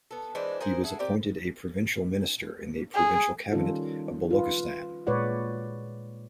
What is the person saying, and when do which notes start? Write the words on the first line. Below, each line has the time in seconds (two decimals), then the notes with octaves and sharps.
He was appointed a provincial minister in the provincial cabinet of Balochistan.
0.11 B3 A4
0.35 E3 G#3 D4 C5
0.60 G#4 A#4 C5 F#5
0.84 E4 G#4 A4 F#5
0.99 C4 G4 A#4 D5
2.95 G#4
3.52 D#3 G3 C#4 D#4 F4 A4
4.31 F4 B4
5.07 A#2 G#3 B4 C#5 D5 F#5